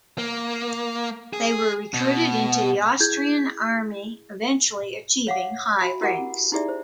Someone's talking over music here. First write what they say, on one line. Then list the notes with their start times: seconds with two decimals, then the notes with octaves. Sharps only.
They were recruited into the Austrian army, eventually achieving high ranks.
0.18 A#3
1.33 G#4
1.94 B2
3.00 E4 G#4 G6 G#6
5.27 C#5 F5 F#5 D6
5.80 F#4 E5 G#5 B5
6.01 E4 G4 A#4 F#5 G#5 D6
6.52 D#4 E4 G4 G#4 D5 E5
6.68 C5